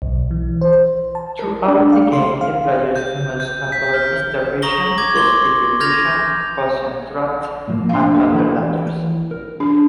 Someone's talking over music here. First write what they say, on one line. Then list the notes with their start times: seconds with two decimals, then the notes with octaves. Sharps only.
Throughout the game, the player must avoid starvation, dehydration, poison traps, and other dangers.
0.02 B1
0.31 E3
0.61 C5
1.15 A5
1.39 A#4
1.68 D4
1.92 F5
2.13 C6
2.41 F5
2.96 G6
3.40 G6
3.72 B6
3.94 F6
4.62 A#5 C#6 D#6 A#6 F#7 G7
4.98 D6 G#6
5.16 C6 G7
5.80 F6 G6 G#6 A#6 F7
7.68 A2 F3 A#3
7.89 D4 F5 G#5 C6
8.14 F2 A#3 G4 A4
8.35 E3 E4 B5
9.31 A#4
9.60 D4 G#4